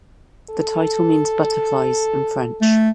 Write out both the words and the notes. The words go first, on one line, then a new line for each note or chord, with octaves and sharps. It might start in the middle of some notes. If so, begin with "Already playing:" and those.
The title means 'butterflies' in French.
A4
A3